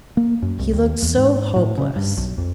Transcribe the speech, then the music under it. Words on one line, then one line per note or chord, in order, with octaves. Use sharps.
He looked so hopeless.
A#3
F#2
C2
D#2
E2
G#2
A2
C#3
G2
B1
F2